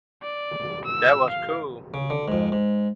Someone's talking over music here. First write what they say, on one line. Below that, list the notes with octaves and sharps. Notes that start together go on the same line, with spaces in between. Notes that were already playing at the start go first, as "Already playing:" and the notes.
That was cool.
D5
E6
F5
C#3
D3
F2 G#2
G#2